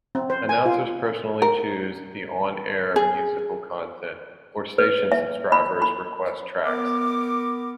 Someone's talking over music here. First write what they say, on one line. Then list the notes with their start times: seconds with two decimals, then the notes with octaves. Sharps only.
Announcers personally choose the on-air musical content, or station subscribers request tracks.
0.15 C4
0.30 C5
0.49 G#5
0.66 F4
1.42 A#4
2.96 G#4
4.78 B4
5.12 E5
5.52 B5
5.82 B5
6.65 B3 A#4 D6